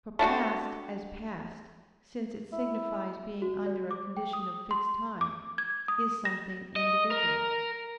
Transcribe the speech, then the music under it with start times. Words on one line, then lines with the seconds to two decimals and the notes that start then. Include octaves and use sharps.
For past, as past, since it signifies being under a condition of fixed time, is something individual.
0.19 A3 D4 F#4 G4
2.52 E4
3.42 F#4
3.66 D5
3.91 D6
4.17 G5
4.33 D#6
4.71 C6
5.21 D6
5.58 G#6
5.88 D#6
6.25 A#6
6.76 D#5
7.11 A#4